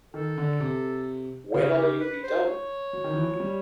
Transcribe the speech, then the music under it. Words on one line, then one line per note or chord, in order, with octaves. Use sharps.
When'll you be done?
D#3 A4
D3
C3
C#3 G#4
G4
B4
C5
C#5
F#3
D#3
E3
F3
F#3
G3